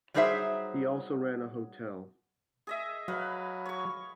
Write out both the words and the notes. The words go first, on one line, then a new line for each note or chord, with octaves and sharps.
He also ran a hotel.
F#3 G3 D#4 G#4 C5 E5
G#4 D#5 E5
F#3 B4 F5 B5
C#5 C#6